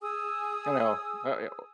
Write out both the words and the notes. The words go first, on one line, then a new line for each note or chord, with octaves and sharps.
you know, uh yeah, well
G#4 G#5 D#6 E6